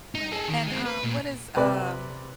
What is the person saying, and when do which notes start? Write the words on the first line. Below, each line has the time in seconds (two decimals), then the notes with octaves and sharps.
Right. And, um, what is um
0.15 D#4
0.32 G#4 A4
0.48 D#3
0.67 G#3 C4
0.85 B4
1.03 A#2
1.57 C3 B4 D5